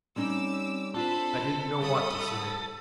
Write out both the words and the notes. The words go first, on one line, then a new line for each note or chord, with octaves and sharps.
I didn't know what to say.
G3 C4 C#4 D#4 D6 E6
D4 F4 A4 C5 B5
G3 F#5 B5 D#6